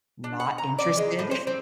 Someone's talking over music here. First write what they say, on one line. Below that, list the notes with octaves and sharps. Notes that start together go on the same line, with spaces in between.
not interested.
D4
F#5
A#5
D5
G#3
A2
C5
C4